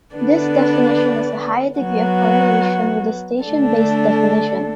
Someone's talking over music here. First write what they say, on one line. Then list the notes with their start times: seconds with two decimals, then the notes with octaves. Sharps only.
This definition has a high degree of correlation with the station-based definition.
0.15 D3 B3 D4 B4 D5
1.80 F#3 B3 F#4
3.45 D3 A3 D4 A4